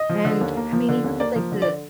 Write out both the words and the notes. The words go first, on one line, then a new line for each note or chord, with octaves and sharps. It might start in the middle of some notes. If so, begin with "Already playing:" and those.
And, I mean, even with, like, the
Already playing: D#5
F3
D3
D#2
A#3
F3
D3
D#2
A#3 D5
F3
D3
D5